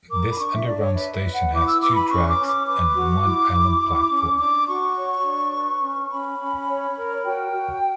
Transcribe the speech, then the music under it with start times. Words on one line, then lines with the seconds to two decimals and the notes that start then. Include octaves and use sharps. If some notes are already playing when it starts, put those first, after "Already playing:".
This underground station has two tracks and one island platform.
0.09 A#4 D6
0.30 B5
0.38 D4 C#6
0.52 E5
0.67 D4 D5
0.81 C#5
0.95 B4 E5
1.14 E5
1.24 B4
1.33 F#5
1.53 E4 D6
1.66 E6
1.81 B4 D6
1.95 B5
2.10 C#4 C#6
2.28 D6
2.39 C#4
2.48 D6
2.66 B4 D6
2.95 F#4
3.24 E4
3.52 E4
3.81 E4
4.10 C#4
4.38 D4 D6
4.67 F#4 C#6
4.95 C#5
5.24 D4
5.53 B4
5.81 C#4
6.10 C#4 B5
6.38 C#4
6.67 C#5
6.96 A#4
7.24 F#4 G5
7.53 F#4